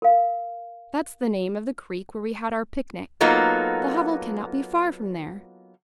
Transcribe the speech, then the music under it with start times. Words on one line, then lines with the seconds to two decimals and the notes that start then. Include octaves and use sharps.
That's the name of the creek where we had our pic-nic. The hovel cannot be far from there!
0.02 A#4 F5
3.21 F#3 A#3 B3 D#4 F4 A4